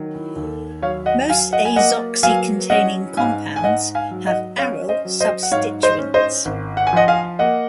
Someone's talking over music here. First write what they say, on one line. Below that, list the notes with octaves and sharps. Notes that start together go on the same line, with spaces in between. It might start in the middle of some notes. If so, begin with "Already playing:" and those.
Most azoxy-containing compounds have aryl substituents.
Already playing: D#3 F#3
D#2
F#3 C#5 F5
D#5 F#5
F#3 F5 G#5
D#5 F#5
G#5
A#3 D#5 F#5
F#3 F5 G#5
C#4 D#5 F#5
G#2 F5 G#5
G#5
G#2 D#5 F#5
F5 G#5
F#3
D#5 F#5
C#4 C#5 F5
C5 D#5
F#3
C5 D#5
F#5
G#2 C#5 F5
C5 D#5
C#4
C5 D#5
G#1
F#5
G#5
F3 D#5 F#5
F5 G#5
A#3 D#5 F#5